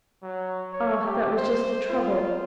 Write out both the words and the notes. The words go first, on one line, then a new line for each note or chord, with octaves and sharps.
Ah, that was just the trouble.
F#3
C#5
G4
C5
F4